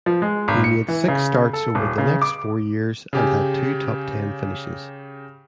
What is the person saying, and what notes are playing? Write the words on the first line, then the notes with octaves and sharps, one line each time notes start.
He made six starts over the next four years and had two top-ten finishes.
F3
G#3
G#1
C#7
E3
C#3
A4
D#1
C#3
D6
C#3 G4 G#5